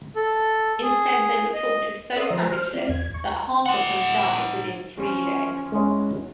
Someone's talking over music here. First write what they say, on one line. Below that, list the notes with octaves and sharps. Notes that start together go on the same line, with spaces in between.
Instead they were tortured so savagely that half of them died within three days.
A4
G#4
D#5
A4 D5 E5 C6 D#6
F3 C5 A#5
C5 F6
C4 D5
E2 G#6
C#6
D#4 F#5
F3 C#4
E2 G#3 C#4